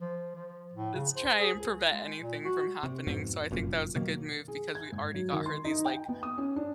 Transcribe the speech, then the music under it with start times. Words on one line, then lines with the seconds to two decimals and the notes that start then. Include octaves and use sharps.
let's try and prevent anything from happening." So, I think that was a good move because we already got her these, like,
0.01 F3
0.35 F3
0.73 A2
0.94 C#3
1.16 C5
1.39 G#4
1.55 C#2
1.90 G#3
2.20 A#2
2.45 F#4
2.83 C3
3.07 F2 G#2 B2
3.51 F1 F#2 A#2
3.95 B2 D#3 F#3 A#3
4.48 G#4
4.75 G#6
4.92 G#2
5.14 F#3
5.32 D#3
5.46 C6
5.65 D#4
5.86 G5
6.08 B3
6.23 D#6
6.38 C#4
6.56 D4